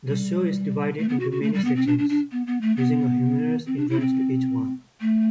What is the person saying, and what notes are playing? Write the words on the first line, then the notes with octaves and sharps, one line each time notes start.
The show is divided into many sections, using a humorous entrance to each one.
G3
A3
B3
F#4
F#4
A3
G3
B3
C4
D4
D4
D4
B3
B3
A3
B3
C4
D4
E4
C4
A3